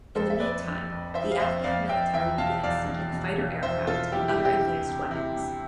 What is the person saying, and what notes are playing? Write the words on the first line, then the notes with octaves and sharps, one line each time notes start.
In the meantime, the Afghan military began seeking fighter aircraft and other advanced weapons.
F2 A4 C5
E5
F2 B4 D5
F2
F2
F3 C5 E5
F5
F2 C5 E5
F2 D5 F5
F2 E5 G5
E2 E5 G5
B2 F5 A5
E2 D5 F5
E2
B2
B2
E2 C5 E5
B2 F4 A4
D2 E4 G4
E4 G4
C3
E4 G4
D2
C3
C3 E4
D2